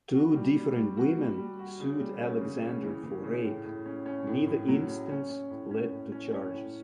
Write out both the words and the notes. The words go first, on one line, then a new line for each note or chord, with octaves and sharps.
Two different women sued Alexander for rape, neither instance led to charges.
F#4
G3
G3
G3
F#4
G3
G3
F#4
C#3
G3
C#4
C#3
C#4
E3
E3
C#3
A2
A2
C#4
C#4
A2
A2
F#3
C#4
C#4
C#4
A2
C#4
A2
C#4
C#4
A2